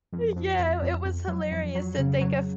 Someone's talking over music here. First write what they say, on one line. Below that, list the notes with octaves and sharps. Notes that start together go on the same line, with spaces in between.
Uh, yeah, i it was hilarious to think of
F2
F2
F2
F2
F2
F#3
F2
F#3
C#3
F#3